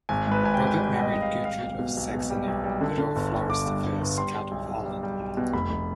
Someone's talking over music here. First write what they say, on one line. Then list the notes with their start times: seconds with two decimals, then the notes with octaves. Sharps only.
Robert married Gertrude of Saxony, widow of Floris the First, Count of Holland.
0.09 G#1 G#5
0.27 G#2 B4
0.43 G#1 G#5
0.54 G5
0.60 G#1
0.67 G#5
0.78 G3 G5
0.95 G3 D#5
1.12 G#1 D#5
1.22 F5
1.28 G#1
1.45 G3 F5
1.62 B1
1.79 B2
1.97 B1
2.14 B2
2.30 G3
2.48 B1
2.64 G3
2.81 D3
2.98 D3
3.16 G1
3.33 G1
3.49 G1 D6
3.66 G2
3.84 G2
4.01 G1
4.18 G3 C6
4.34 G3
4.51 B1
4.68 B1
4.85 G3
5.03 G3
5.20 B1
5.37 B2
5.53 F1 B5
5.70 F1